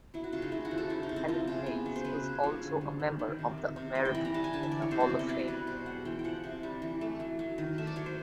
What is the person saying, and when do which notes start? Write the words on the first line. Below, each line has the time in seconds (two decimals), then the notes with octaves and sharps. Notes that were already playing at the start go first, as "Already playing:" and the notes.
Helen Hayes is also a member of the American Theatre Hall of Fame.
0.14 F#3 E4
0.24 F#4
0.33 C#3 F4
0.42 D#4
0.52 A3 E4
0.65 F#4
0.71 F3
0.78 A4
0.90 F3 E4
1.03 D#4
1.09 C3
1.16 E4
1.28 F3 F4
1.48 C#3
1.66 B3
1.86 F#3
1.96 C5
2.04 F#3 B4
2.23 C#3
2.43 F3 C#5
2.63 D3
2.81 G3
3.00 D#3
3.19 D#3
3.39 C3
3.58 D#3
3.76 C3
3.95 G3 D#5
4.05 G5
4.15 E3 B5
4.25 A#5
4.34 G3 A5
4.44 G#5
4.53 D3 A5
4.63 E5
4.71 E3 D5
4.82 C#5
4.91 C3 C5
5.00 D5
5.10 B3
5.19 D#5
5.29 F#3 D5
5.39 C#5
5.48 G3 B4
5.67 B2 C5
5.86 G#3 F#5
6.05 E3 G5
6.19 G5
6.24 F3 F#5
6.44 C3
6.63 G3
6.82 E3
7.01 A3
7.20 F#3
7.39 F#3
7.58 D#3
7.78 A3 E5
7.87 D5
7.96 F#3 C#5
8.06 C5